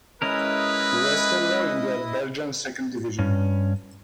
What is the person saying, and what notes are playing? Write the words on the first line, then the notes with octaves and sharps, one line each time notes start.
Westerlo in the Belgian second division.
G#3 C#4 E4 A#4 B4 D#5 D#6
G2 C#4